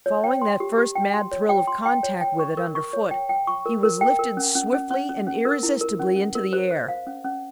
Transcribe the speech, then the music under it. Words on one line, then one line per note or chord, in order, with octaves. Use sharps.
Following that first mad thrill of contact with it underfoot, he was lifted swiftly and irresistibly into the air.
C#5
G5
C6
G4
G4
G5
C6
C#5
G5
C6
G5
C#5
G5
C#6
A#4
C#6
C#5
G5
G5
C#6
A#4
A#4
G5
A#4
C#4
C#4
C#4
C#4
C#4
C#4
A#4
E4
A#4
C#4
C#4
A#4
C5
C5
F5
C#4
C#4